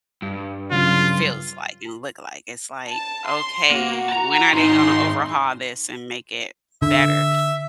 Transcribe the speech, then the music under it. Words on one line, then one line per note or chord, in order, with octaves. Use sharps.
feels like and look like. It's like, "Okay, when are they gonna overhaul this and make it better?"
G2
C#3 F#3 F4
A5
C6
A#3 F#4
A5 A#5
G#2 D#3 D#4 C6
D3 E5